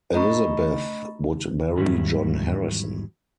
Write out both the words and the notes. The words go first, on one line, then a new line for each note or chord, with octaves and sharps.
Elizabeth would marry John Harrison.
A3 D4 D#5 A#5 B5 C#6
E2 G#2 D#3 F#3 G3 E4